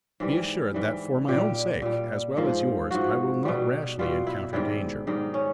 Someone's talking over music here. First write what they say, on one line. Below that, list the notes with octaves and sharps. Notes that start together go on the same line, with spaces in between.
Be assured that for my own sake, as well as yours, I will not rashly encounter danger.
G#2 E3 G3
G#2 E3 G3
A#2 G3 G4
A#2 G3
G#2 F3
G#2 F3 F#4
B2 G3
B2 G3 F4
E4
G#2 D#3 G3 E4
G#2 D#3 G3 D#4
C#4